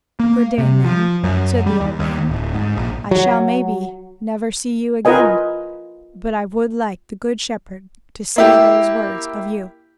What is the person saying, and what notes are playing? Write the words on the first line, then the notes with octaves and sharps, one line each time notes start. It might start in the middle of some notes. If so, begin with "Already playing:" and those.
'Good-day, ma'am,' said the old man; 'I shall, maybe, never see you again; but I would like the Good Shepherd to say those words of you.'
A#3
C3
F3
F#2
G3
D#2
D#2
D1
G#2
A#1
F#3
F4 A#4 B4 D#5 G#5
A#3 E4 G4